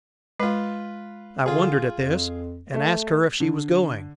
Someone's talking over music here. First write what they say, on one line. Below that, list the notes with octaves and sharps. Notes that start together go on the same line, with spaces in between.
I wondered at this, and asked her if she was going.
G#3 F4 B4
D3 F4 G#4
F2
A3
D3